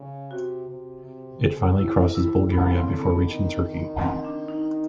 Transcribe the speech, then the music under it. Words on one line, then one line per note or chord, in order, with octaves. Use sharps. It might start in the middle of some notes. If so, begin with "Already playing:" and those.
It finally crosses Bulgaria before reaching Turkey.
Already playing: C#3
C3 F#4
C3
C3
E4
E4
C#3 B3
C4
D3
B3
D#3
D#3
C4
D4
D#4